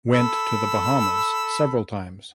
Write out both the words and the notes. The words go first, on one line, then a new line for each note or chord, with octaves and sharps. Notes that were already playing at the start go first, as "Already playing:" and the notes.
Went to the Bahamas several times.
A4 B5 E6